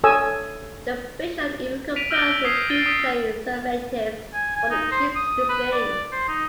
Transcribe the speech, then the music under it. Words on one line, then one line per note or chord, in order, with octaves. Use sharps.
The bishop even composed pro-Crusade "sirventes" for the troops to sing.
A4 C#5 G#5 D#6 E6
B6 D7 D#7 F7
E6 F6 G6 A#6 D7 G7
E6 G7
D#6 G#6 C7
F6 G6 A6 D7 D#7 G7
D#6 B6
G#5
G#5
D#4
C5
D#6
B4
D5
C5
D#4